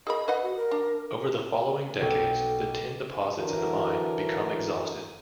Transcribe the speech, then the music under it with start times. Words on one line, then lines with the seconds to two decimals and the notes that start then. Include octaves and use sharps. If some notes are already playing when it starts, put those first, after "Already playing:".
Over the following decades, the tin deposits in the mine become exhausted.
0.07 G#4 A#4 D#5 B5
0.28 B4 D#5 F#5 B5
0.42 F#4
0.56 A#4
0.71 D4
2.01 B1 A4 G5 D6
3.35 D3 E3 F#3 F#4 A4 A#4